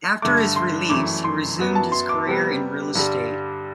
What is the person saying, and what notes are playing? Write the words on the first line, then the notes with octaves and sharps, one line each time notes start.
After his release, he resumed his career in real estate.
G2 D3 A3 D6
C6
F#2 E3 A3 D6
C6
F#2 F#3 B3
A5
C6
D6
C3 G3 B3
G2 D3 G3